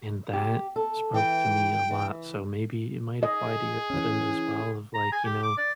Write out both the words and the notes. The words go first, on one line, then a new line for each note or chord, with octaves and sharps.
and that spoke to me a lot, so maybe it might apply to your husband as well of, like, you know,
G4
A4
E3 G5
E3
G#4 D#5
E3 C#4
A#5
G#5
G4
D6
D5